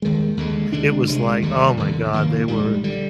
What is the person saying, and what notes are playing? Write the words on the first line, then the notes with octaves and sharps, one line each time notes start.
it was like oh my god, they were
D#2 D#3 G#3
D#2 D3 G#3
D2 D3 G#3 D4
C2 C3 F3 G#3
D#2 D3 G3
F1 D#2 D3
F1 D#2 D#3 A#3
A#1 G#2 G3
D3 G3